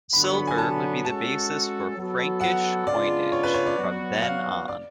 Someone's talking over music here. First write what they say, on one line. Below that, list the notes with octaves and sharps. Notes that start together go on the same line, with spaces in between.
Silver would be the basis for Frankish coinage from then on.
D3 F#3 B3 B5
C#6
B5
G#5
A5
G#3 C#4 F#4 A4 A5
F#3 B3 F#4 A4
F#5
C#3 G#3 B3 D4 F4 D5
C#5
B4
C#5
D5
F#3 B3 F#4
F5
D5